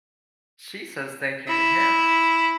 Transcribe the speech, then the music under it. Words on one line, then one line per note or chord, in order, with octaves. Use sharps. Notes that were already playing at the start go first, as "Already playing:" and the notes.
she says "Thank you" to him,
E4